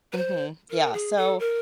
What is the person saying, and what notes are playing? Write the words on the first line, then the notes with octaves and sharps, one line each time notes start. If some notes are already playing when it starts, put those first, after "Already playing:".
Mhm, yeah, so
B4
C5
A#4
G#4
A4
A#4